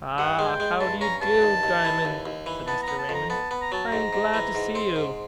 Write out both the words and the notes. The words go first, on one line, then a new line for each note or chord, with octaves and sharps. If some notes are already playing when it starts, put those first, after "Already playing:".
"Ah! how do you do, Diamond?" said Mr. Raymond; "I am glad to see you."
G2 F#5
G#3
G#5
G5
G#3
G2 A5
C#4 A#5
G2 A5
D#2
D#2
E3
D#2
D#2
E3
B3 A5
B3 A#5
A5
F2
A#5
B3 A5
B3
A#5
F#3 A5
A#5
G#2
G#2
E3
G#2
C4
G#2